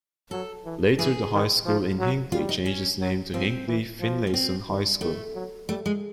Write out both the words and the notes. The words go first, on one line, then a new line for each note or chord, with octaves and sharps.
Later, the high school in Hinckley changed its name to Hinckley-Finlayson High School.
F#3 A4
E3
E3 G#4
D#3
F3
F#3
G3 F4
D#4
C#4
F#3
F3 C4
E3
F3
C#4
C4
D#3
D#3 A3
F#3
G3 A3
G#3